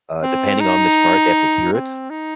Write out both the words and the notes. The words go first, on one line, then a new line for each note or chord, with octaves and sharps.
uh, depending on this part, they have to hear it,
C4
D#4
C4
D#4